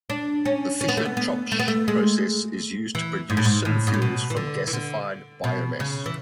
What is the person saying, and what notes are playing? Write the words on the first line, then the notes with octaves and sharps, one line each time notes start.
The Fischer-Tropsch process is used to produce synfuels from gasified biomass.
D4
C#4
C#4
B3
A3
B3
B3
A3
B3
A3
G#3
E3
G#2
A2
G#2
A2
G#2
A2
B2
E3
D3
E3
D3
B2
C#3
E3